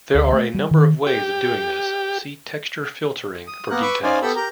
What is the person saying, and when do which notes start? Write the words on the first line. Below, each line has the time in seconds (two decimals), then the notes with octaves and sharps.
There are a number of ways of doing this; see "texture filtering" for details.
0.14 D2
0.33 A3
0.54 G3
0.71 D#3
1.07 G4
3.47 D#6
3.70 A#3 B3 A#4 F#6
3.82 B4 B5 C#6 D6 E6
4.03 C#4 D#4 C5 D5 F5 G#5
4.22 B3 G4 A4 G5 B5 E6
4.36 G4 A#4 A#5 G6